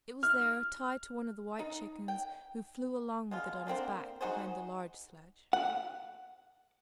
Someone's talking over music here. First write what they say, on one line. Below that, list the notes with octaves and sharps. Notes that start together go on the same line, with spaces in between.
It was there tied to one of the white chickens, who flew along with it on his back behind the large sledge.
F6
D#4
G5
B2 G#3 F4
D3 A#3 C4 C5
D#4 F#4 G#4 C5
F#5